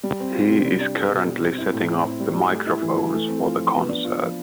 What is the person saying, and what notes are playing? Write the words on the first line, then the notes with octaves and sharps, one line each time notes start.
He is currently setting up the microphones for the concert.
G3
C4
F4
C3
G3
D4
A4
B2
G3
C4
E4
A2
C4
E4
G3
G3
A3
E4
E3
E3
A3
C4
F4
F3
B3
D4
F4
F3